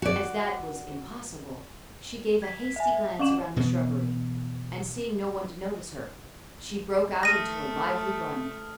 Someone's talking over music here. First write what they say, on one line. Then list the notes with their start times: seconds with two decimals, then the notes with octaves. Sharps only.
As that was impossible, she gave a hasty glance around the shrubbery, and seeing no one to notice her, she broke out into a lively run.
0.02 F#4 D5
2.42 G#6 B6
2.76 E5 G#5
3.19 C#4 F5 F#5 C#6 E7 F#7
3.57 B2 E3 B3
7.23 A3 D#6 F6 A#6 D#7